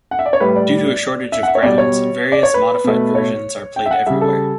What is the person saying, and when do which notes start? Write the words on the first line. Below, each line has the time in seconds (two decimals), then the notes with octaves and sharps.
Due to a shortage of grounds, various modified versions are played everywhere.
0.11 F#5
0.19 E5
0.26 D5
0.33 C#5
0.40 A2 G3 B4
0.56 D5
1.32 E5
1.43 F#5
1.48 E5
1.55 C#5
1.62 B2 G3 D5
1.78 C#5
2.32 D5
2.43 C#5
2.54 B4
2.84 B2 A3
3.15 C#5
3.76 G5
3.86 E5
3.91 F#5
4.06 C#3 G3 E5
4.21 A4